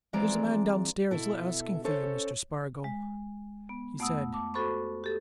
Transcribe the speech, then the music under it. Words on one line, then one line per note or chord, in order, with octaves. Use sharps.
"There's a man downstairs asking for you, Mr. Spargo," he said.
E3 F3 G#3 C4 D5 A#5
B2 E4 A4
C#4 A4 C5 C#5
G#3
B3
F2 A3 B3 F#5 D#6 E6
A5 D6
F#4 A4 C5 B5 C#6
G4 A4